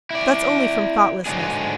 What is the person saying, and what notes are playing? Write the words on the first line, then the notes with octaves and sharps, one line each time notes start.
That's only from thoughtlessness.
E4 D5
G#2 D3 F#3 G#3 D4 G#4